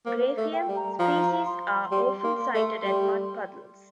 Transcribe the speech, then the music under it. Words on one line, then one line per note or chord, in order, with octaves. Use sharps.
"Graphium" species are often sighted at mud puddles.
A#3 C5
A3
G5
G3
A#5
F3 A#5
C6
G3
A#3
A3
G3